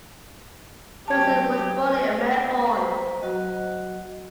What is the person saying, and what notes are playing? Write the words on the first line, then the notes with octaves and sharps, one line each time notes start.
Poulsen was born in Melbourne.
F#3 G4 A5 G#6
B4 C5 G5
F#3 F#4 D#5